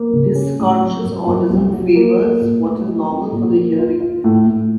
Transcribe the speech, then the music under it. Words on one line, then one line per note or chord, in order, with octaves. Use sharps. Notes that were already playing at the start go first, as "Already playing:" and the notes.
Dysconscious audism favors what is normal for the hearing community.
Already playing: A#3
C#3
C#4
A2
C4
F#2
F#2
C2
F#3
A#3
A#3
A#2
A3
D#4
C4
A#2
A#3
F4
F4
A2
A2